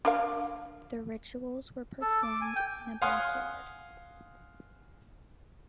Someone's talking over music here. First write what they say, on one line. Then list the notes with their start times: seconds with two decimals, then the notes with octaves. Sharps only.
The rituals were performed in the backyard.
0.05 D4 A#4 F5
2.02 A4
2.23 D6
2.41 G#5
2.56 G5
3.02 F5 F#5 G#5 C6 D#6